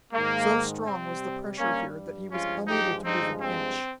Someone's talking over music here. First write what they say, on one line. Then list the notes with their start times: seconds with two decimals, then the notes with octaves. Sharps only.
So strong was the pressure here that he was unable to move an inch.
0.13 G#2 D#3 G#3 A#3
0.85 C3 G3 C4
1.58 G2 G3 A#3 C#4
2.31 G2 F3 G#3 C#4 F4
2.68 D#4 G4
3.04 G2 F3 G#3 C4 D#4
3.41 C4